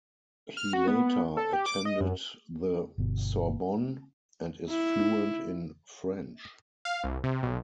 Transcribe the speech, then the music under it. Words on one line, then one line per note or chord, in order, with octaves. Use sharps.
He later attended the Sorbonne and is fluent in French.
F6
F#4
B3
A4
G4
D6
D#5
F#2
G1 B2
E4
F5
C2
C3
B1